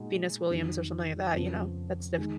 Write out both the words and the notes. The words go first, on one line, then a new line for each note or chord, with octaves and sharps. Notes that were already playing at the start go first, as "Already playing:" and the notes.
Venus Williams or something like that. You know? That's diffi
Already playing: A#2 G#3 D#4 F#4
F2 D#3 F#3
F2 C#3 F3 B3
D#3 G#3